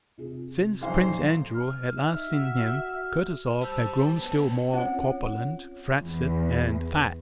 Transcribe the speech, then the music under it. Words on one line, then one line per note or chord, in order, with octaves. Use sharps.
Since Prince Andrew had last seen him Kutuzov had grown still more corpulent, flaccid, and fat.
C3 F4 G#4
D#1 A2 F3 F#3 D#4 C5 F5
F6
D#4 E5
F#4
G3 C5 A5 E6 G6
B3 C#4
C4 C#4 F4 C#5 F#5
E2